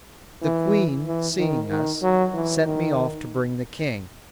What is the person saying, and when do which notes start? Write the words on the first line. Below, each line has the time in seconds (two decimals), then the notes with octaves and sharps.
The queen, seeing us, sent me off to bring the king.
0.42 E3
1.06 E3
1.38 D#3
1.69 D#3
2.02 F#3
2.34 E3
2.65 D#3